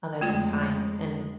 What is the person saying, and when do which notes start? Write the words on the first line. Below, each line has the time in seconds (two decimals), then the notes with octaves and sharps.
other than time, and,
0.21 F2 G#3 A3 F4 G5